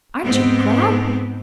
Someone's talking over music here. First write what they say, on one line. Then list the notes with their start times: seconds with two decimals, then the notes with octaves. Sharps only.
Aren't you glad?
0.25 G#2 B3 C4